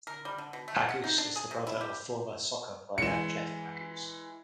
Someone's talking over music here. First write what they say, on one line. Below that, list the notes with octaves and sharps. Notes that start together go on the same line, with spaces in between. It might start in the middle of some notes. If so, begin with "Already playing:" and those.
Agoos is the brother of former soccer player Jeff Agoos.
A#4
G3
D3
B2
A3
F#5
D#4
D4
G#4
C3
E4
G4
E3 G#3 C#7 E7